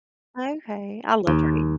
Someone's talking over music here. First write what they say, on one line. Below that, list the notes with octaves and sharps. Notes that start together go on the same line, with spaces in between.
Okay. I love to read.
D#2